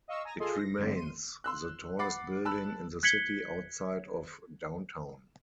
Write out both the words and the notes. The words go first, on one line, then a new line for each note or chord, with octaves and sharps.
It remains the tallest building in the city outside of Downtown.
D#5 F5 C#6 E6
G#5 A#5 D#6 A#6
F4 G#4 A4 D#5 C6 D#6
A#6
G2 D3 G3 C4
C6 D#7
C6 E6 F#6
F#5 B5 D6 A6 C7
A5 B5 E6 F#6
F#6 G#6 B6 C#7 F#7 G7